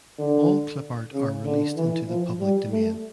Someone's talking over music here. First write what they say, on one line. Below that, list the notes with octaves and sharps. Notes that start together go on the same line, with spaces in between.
All Clipart are Released into the Public Domain.
D3
C#3
D3
E3
F3
G3
A3